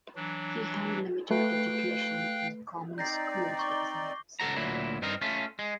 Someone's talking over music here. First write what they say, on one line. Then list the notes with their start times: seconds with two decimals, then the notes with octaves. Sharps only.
He had a limited education in the common schools of his native state.
0.16 E3 F#3 D4
1.31 A3 B4 F5 G5 F#6
2.98 C4 D#4 D5 G6 A#6 C7
3.59 C#6 D6
3.72 G7
4.40 C#2 A4 F#5 A#5
4.56 D2 A#2 F#3 E4
5.02 G2 C4 D#4 A#4
5.21 A3 C#4 F4
5.59 G#3